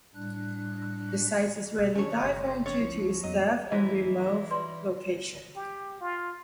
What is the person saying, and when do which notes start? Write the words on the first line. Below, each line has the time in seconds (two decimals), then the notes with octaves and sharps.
The site is rarely dived on due to its depth and remote location.
0.15 A2 G3 D4 F#6
1.78 C2 B2 G#4
1.95 D#3 A3 C#4 D4 C#5
2.22 G1 C#3 G4 C5 D#5
2.66 F3 C#4 C#5 A6
2.80 C2 F3 C4 E4
3.23 F2 F#3 B3 C#4 D#5
3.72 E3 D#4 E4 F#4 C5 C#5
4.51 B4 D5 C6
5.56 G4
6.01 F4